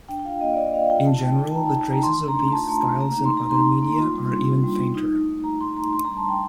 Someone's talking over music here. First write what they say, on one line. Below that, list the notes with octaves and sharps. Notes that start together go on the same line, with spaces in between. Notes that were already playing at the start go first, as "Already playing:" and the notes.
In general the traces of these styles in other media are even fainter.
D4 G5
G5
F4 F5
A#3 D#5
D5
D4 D#5
D4 F5
F4 G5
D#4 A5
A3 G5
D#4 G5
A5
D#4 A#5
A5
D#4
A5
D#4 A#5
A3 C6
D4
A#5
A3
F4 A5
A3 A5
A3 A5
A#3 A#5
A#5
D#4
C6
D#4 A#5
D#4 C6
D#4
A#3
F4
G3
D4
F4
G3
G3
D#4
A3
A3
D#4 A#5
D#4 C6
A3 A#5
D4 C6
A#5
G3
A5
G3 G5